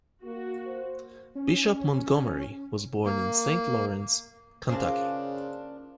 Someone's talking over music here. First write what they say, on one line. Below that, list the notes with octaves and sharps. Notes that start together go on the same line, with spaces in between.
Bishop Montgomery was born in Saint Lawrence, Kentucky.
A#3 F#4
C5
C#4
A#3
C#3 A#3 D4 F4 G#4 C5